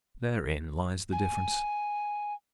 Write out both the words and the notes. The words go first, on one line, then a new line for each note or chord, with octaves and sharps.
Therein lies the difference.
G#5